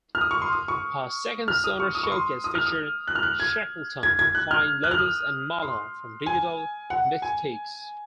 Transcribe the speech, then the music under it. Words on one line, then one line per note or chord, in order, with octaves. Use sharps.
Her second Sonar showcase featured Shackleton, Flying Lotus and Mala from Digital Mystikz.
F6
D#6
C#6
C6
D#6
C#6
F6
D#6
C#6
D#6
C#6
C6
D#6
F6
D#6
F#6
F6
F#6
G#6
G#6
G#6
F#6
F6
F#6
F6
D#6
C6
G#5
F#5
G#5